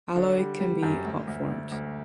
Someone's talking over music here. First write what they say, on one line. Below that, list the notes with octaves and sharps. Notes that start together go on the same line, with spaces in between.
Alloy can be hot formed.
D3
G3
G3
F#2
D2
D2
D2
D2